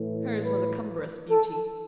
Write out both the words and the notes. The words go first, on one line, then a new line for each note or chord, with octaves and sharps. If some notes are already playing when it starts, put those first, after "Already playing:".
Hers was a cumbrous beauty.
Already playing: A2 E3 A3
B4
A4